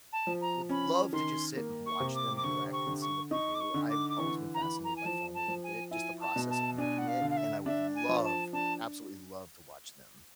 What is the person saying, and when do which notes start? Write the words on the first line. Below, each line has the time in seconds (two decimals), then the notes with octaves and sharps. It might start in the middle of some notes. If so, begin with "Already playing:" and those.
would love to just sit and watch them direct, and see what they do. I've always been fascinated by film a little bit, just the process of making it, and I would love, absolutely love, to watch them,
0.12 A5
0.27 F3
0.41 A#5
0.69 C#4 B5
1.13 D#3 C6
1.57 A#3
1.86 C#6
2.00 C3
2.15 D6
2.36 D6
2.43 D3 C#6
2.72 C#6
2.87 D3
3.01 C#6
3.31 D#4 C#6
3.54 D6
3.60 C#6
3.74 D3
3.89 D6
4.09 D6
4.18 E3 C#6
4.54 A#5
4.61 E3 B5
4.84 A#5
4.96 G#5
5.05 F3 A5
5.34 A5
5.48 F3
5.63 G#5
5.91 E4 G#5
6.20 A5
6.36 B2
6.50 A5
6.78 D4 G#5
6.98 F#5
7.07 F5
7.22 D3
7.30 F5
7.36 E5
7.66 D4 E5
7.95 G#5
8.09 F3
8.23 A5
8.53 D4 A5